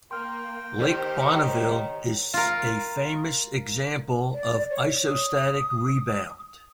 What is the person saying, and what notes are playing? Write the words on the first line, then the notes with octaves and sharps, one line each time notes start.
Lake Bonneville is a famous example of isostatic rebound.
A#3 G5 C6 F6
D#3 G4 C5
C#5 A#5 C#7
F4 A#4
D5
C#5
D#6